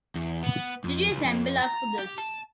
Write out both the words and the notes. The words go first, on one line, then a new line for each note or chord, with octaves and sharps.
Did you assemble us for this?
E2
B3
F2
C#2
F2
A#5
G4
A5